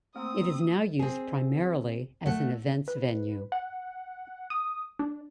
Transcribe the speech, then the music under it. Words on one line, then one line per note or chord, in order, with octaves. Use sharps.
It is now used primarily as an events venue.
A3 A#3 C4 A#5 D#6 E6
C4 G#4
A3 F#5
B4
F#5
D#6
D4